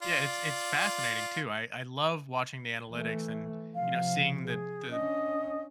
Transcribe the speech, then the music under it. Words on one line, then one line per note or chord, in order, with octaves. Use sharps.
Yeah, it's it's fascinating too, I I love watching the analytics, and, you know, seeing the the
F4 D5
E3 A3
C3 F3 F5
G#4
C#4 D4 D#5